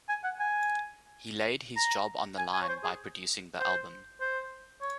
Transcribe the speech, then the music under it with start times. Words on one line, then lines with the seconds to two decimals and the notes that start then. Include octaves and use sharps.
He laid his job on the line by producing the album.
0.09 G#5
0.24 F#5
0.39 G#5
1.76 A#5
2.38 G#5
2.53 G#5
2.62 C#5
2.68 C5
2.83 G#4
3.60 C5
4.21 C5
4.82 C#5